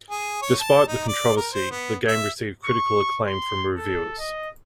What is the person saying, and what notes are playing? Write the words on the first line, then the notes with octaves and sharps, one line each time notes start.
Despite the controversy, the game received critical acclaim from reviewers.
G#4
C#5
A5
D#4
D5
A#4
C5
B3
E5
C#6
C6
A4
D#5